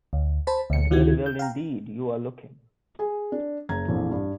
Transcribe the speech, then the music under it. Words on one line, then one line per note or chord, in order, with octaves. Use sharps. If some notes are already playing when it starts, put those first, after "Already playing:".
And very well indeed you are looking.
D2
C5 A5 B5
D2 C#7
D2 D#3 E4 F#4 G4 G#6
G6
F5 G5 A#5
G#4 G#5
D4
F#1 A#5 G#6
A#1 F2 E3
G2